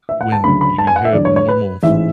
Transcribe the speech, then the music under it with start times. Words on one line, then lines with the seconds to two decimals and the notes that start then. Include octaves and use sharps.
when you have normal f
0.09 E5
0.21 F#5
0.32 A5
0.44 D2 C#3 F#3 B5
0.61 B5
0.78 A5
0.87 G#5
0.96 F#5
1.05 E5
1.13 E2 D3 F#3 D5
1.25 C#5
1.36 C#5
1.48 B4
1.83 A1 G#2 E3 E5